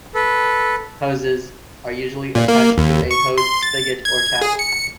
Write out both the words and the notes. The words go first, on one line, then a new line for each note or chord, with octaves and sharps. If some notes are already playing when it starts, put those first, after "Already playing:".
Hoses are usually attached to a hose spigot or tap.
A4 B4
A#2
A#3
D#2
C#6
C6
A6
G#6
G#4
C#7